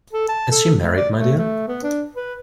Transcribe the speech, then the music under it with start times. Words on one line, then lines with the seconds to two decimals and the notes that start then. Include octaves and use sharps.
Is she married, my dear?
0.13 A4
0.28 A5
0.51 A4
0.82 A3
0.97 D5
1.17 A3
1.37 A3
1.68 B3
1.83 D4
2.15 B4